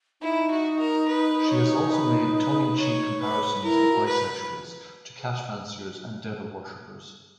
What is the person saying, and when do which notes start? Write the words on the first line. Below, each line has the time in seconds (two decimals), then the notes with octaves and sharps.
She has also made tongue-in-cheek comparisons of bisexuals to cat fanciers and devil worshippers.
0.21 D#4 E4
0.50 F#4
0.78 A#4
1.08 B4
1.49 C#5
1.92 B4
2.35 B4
2.78 C#5
3.20 B4
3.63 E4 A#4
3.92 F#4
4.06 B4